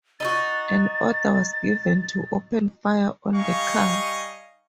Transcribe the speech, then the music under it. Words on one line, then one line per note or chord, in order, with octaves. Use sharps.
An order was given to open fire on the car.
D#4 E4 F#4 A6
G3 D#4 D#5 F5 G#5 C#6